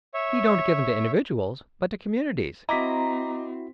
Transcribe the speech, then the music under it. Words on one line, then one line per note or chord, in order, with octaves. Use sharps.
"He don't give 'em to individuals, but to communities."
C#5 E5
C4 E4 F#4 D#5 A#5 D6 B6